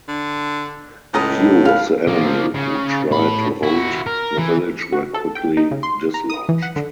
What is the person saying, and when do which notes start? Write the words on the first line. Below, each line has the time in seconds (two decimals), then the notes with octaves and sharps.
A few of the enemy who tried to hold the village were quickly dislodged.
0.08 D3
1.14 C#2 A2 D#5 A#5 D#6
1.65 B4 F5
2.07 F3 A#3
2.55 C#3
3.11 A2 B5
3.63 E4 F#4
4.06 A#4
4.37 E3
4.80 C#7
4.92 F#4
5.14 A4
5.35 G5
5.57 D#4
5.71 C#3
5.83 C6
6.14 A#5
6.30 D#6
6.49 E3
6.62 F#5
6.76 D3